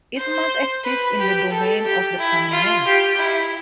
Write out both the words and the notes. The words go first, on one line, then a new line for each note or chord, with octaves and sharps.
It must exist in the domain of the common man.
C5
B4
G4
A4
G4
E4
F4
G4
E4